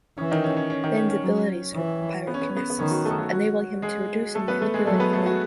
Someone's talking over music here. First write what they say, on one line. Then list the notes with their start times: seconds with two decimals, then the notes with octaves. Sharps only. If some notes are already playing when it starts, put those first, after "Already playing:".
Ben's abilities are pyrokinesis, enabling him to produce and manipulate flame.
0.18 E3 C#4
0.31 D#3 D#4
0.44 C#4
0.57 C#4
0.70 C#4
0.84 D#3 D#4
0.96 C#4
1.09 C#4
1.22 F#3
1.74 E3
2.27 B3
2.34 C#4
2.42 B3
2.50 C#4
2.57 B3
2.70 B3
2.79 D#3 C#4
2.91 F#3 F#4
3.05 A3 A4
3.18 F#3 F#4
3.31 F#3 F#4
3.82 G#3 G#4
4.35 A3 A4
4.48 B3 B4
4.61 A3 A4
4.74 G#3 G#4
4.87 F#3 A3 A4
5.00 B3 B4
5.13 A3 A4
5.26 F#3 F#4